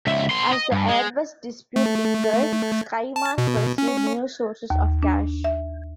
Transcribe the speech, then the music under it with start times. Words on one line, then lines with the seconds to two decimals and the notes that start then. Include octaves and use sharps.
As the Airbus dispute lingered, Skymark pursued new sources of cash.
0.07 C#2 E5
0.31 B3 C6
0.53 D#5
0.72 G2
0.88 G#3
1.76 A3
3.16 A5
3.38 B2
3.78 C#4
4.70 D#2
5.03 D4
5.44 E5